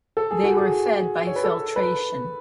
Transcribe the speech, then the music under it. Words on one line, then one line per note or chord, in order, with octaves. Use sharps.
They were fed by filtration.
A4
G#4
F#4
G#4
C#5
B4
A4
B4